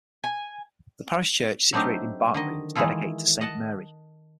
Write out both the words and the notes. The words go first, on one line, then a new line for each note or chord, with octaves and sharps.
The parish church situated in Barkby is dedicated to Saint Mary.
G#5
F#3 A3 C4 D4 D#4 G4
D3 D#3 D#5
D#3 E3 G#3 E4 F4 A4
D#5 F#5 A5